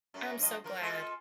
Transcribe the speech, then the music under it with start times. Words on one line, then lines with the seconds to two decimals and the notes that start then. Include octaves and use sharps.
I'm so glad.
0.14 F#2 A3
0.38 G2 F3 D#5
0.64 F3 A#4
0.81 G#3 F4 A4